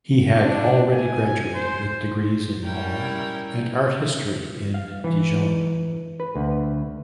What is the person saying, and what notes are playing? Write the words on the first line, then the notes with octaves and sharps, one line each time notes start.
He had already graduated with degrees in law and art history in Dijon.
D4
G#5
C5
G3 C#4 E4 A#4 G5
F5
E3
B4
D2